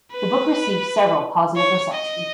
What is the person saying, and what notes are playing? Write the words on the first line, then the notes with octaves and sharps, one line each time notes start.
The book received several positive reception.
B4
C#5
D#5